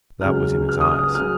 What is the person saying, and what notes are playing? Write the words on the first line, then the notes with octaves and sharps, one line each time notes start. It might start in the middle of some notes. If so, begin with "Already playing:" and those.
That was in his eyes.
C#2 C#3 F#3 F6
F6
D#6
F6
C#3 F#3 F6